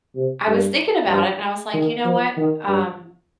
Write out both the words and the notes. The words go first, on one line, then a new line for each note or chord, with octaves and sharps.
I was thinking about it, and I was like, "You know what, um,
C3
G2
G2
D#3
F3
D#3
G2